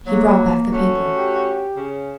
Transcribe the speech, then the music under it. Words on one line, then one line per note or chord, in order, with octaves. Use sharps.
He brought back the paper.
F#3 A#3
A3 C#4 F#4
G4
C#3